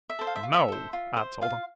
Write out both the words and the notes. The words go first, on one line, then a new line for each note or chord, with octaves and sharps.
No,' I told him.
E5
A4 C5
F5
E5
F4
E5
A4 C5
F4
C5
F4 F5